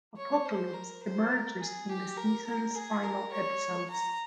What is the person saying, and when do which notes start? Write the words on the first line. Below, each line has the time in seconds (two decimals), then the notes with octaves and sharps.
Apocalypse emerges in the season's final episodes.
0.17 C#5
0.45 C5
0.73 A#4
1.03 C5
1.32 A#4
1.61 G#4
1.90 G4
2.17 A#4
2.46 A#4
2.75 G#4
3.04 A#4
3.33 C#5
3.90 A#5